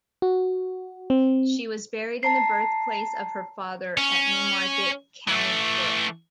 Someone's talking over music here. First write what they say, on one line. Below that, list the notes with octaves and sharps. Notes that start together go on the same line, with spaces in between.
She was buried in the birthplace of her father at Newmarket, County Cork.
F#4
C4
A5 A#5 C7
C#4
E3 A3